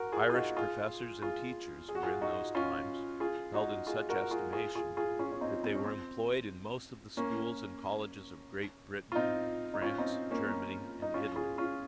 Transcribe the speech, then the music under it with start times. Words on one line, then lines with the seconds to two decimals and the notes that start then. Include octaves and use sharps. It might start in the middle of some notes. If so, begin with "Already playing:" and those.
Irish professors and teachers were in those times held in such estimation that they were employed in most of the schools and colleges of Great Britain, France, Germany, and Italy.
Already playing: F#4 A#4
0.12 F4 G#4
0.30 F4
0.34 D#4 F#4
0.56 F4 G#4
1.22 F4 G#4
1.89 G#4
1.95 F#4
2.03 F4 G#4
2.21 D#4 F#4
2.55 C#4 F4
3.20 F4 G#4
3.54 D#4 F#4
3.87 F4 G#4
4.09 F#4 A#4
4.31 F4 G#4
4.53 F4 G#4
4.75 F4 G#4
4.97 F4 G#4
5.19 C#4 F4
5.32 C#4
5.41 C4 D#4
5.64 C4
5.75 C#4
5.85 C4
7.17 A#3 C#4
9.12 F4
9.15 C4 D#4
9.74 D#4
9.82 C#4 F4
9.98 C4 D#4
10.31 A#3 C#4
10.47 A#3 C#4
11.02 D#4
11.14 C#4 F4
11.36 F4 G#4
11.58 C#4 F4